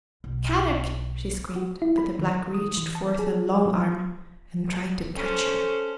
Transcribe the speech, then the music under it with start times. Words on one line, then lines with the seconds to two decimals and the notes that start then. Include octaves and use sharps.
"Kadok!" she screamed, but the Black reached forth a long arm and tried to catch her.
0.24 B1
1.56 F#4
1.82 E4
1.98 B5
2.19 D#3
2.54 D#6
2.77 E3
2.95 A5
3.19 G#4
3.66 F#3
5.16 C#4 A4 C5